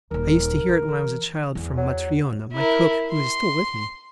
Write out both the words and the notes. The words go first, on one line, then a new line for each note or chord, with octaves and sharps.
I used to hear it when I was a child from Matryona, my cook, who is still with me.
D#1 D#2 A#4
E3
E2
F#3
E4 A#4
C6